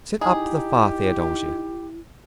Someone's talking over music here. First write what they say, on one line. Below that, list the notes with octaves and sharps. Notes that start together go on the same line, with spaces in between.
Sit up to the fire, Theodosia.
D#4 E4 G4 G#4